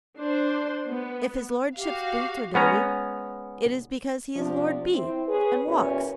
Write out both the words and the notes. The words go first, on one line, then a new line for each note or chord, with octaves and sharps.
If his lordship's boots are dirty, it is because he is Lord B., and walks.
D4 C5
B3
F#4 G4 F5
G#3 B3 C#4 A#5
C3 F3 D4
C4 E4
G#4 B4 C#5
E2 A#2 C#4 F#4 A#4 B4